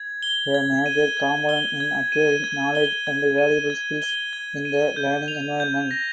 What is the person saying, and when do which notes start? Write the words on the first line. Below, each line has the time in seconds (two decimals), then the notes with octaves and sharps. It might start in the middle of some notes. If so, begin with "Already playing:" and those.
A major component in acquiring knowledge and valuable skills in the learning environment.
Already playing: G#6
0.22 G7
0.54 G#6
0.86 D#7
1.17 G#6
1.49 G7
1.80 G#6
2.12 D#7
2.44 G#6
2.75 G7
3.07 G#6
3.38 D#7
3.70 G#6
4.02 G7
4.33 G#6
4.65 D#7
4.96 G6
5.28 F7
5.60 G6
5.91 A#6